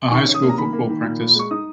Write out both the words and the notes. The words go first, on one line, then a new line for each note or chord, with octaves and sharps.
A high school football practice.
D#3 C#6
C#4
D#6
A#3
A#5
D#3 B5
A#3
D#3
A#2
A#2
G#3 C#6
D#4 D#6